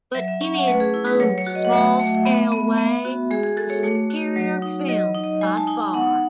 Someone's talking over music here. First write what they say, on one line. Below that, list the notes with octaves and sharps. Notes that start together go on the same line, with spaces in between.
But in its own small-scale way a superior film by far.
F#3 E5
E5
C#4 E5
F#5
A3 B4
G#4
E4
B4
F#3 C#5
C#5
F#4
D#5
F#5
A3 E5
A3
B3 E5
B3
B3
F#4
G#3 G#4
G#4
F#4 A4
C#5
A3
F#4
F#3
D#4
F#3 D#5
D#4
D#5
G#3 G#5
A5
D#4 G#5
B3 F#5